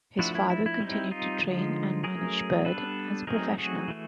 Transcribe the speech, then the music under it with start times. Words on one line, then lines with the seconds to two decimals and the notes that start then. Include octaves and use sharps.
His father continued to train and manage Byrd as a professional.
0.19 F3 A3 D4 E4 F#4
0.35 E4
0.50 E4
0.66 E4
0.80 G3 C4 D#4
1.11 D#4 F4
1.43 D3 F3 G#3
2.03 F#3 A3 C#4 G#4 A#4
2.65 G3 B3 D4 A4 B4
3.27 F#3 A3 C4 D#4 G#4 A#4
3.58 F#4 G#4
3.88 E3 A3